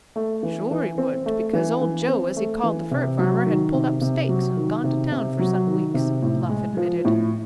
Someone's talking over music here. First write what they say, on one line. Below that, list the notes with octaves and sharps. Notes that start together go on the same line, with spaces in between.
"Sure he would, because Old Joe, as he called the fur farmer, had pulled up stakes and gone to town for some weeks," Bluff admitted.
A3
E3
E3
C4
A3
E3
E3
C4
A3
E3
C3
F#3
D#3
C3
C3
F#3
D#3
C3
C3
F#3
D#3
C3
A2
G#3
F3
A2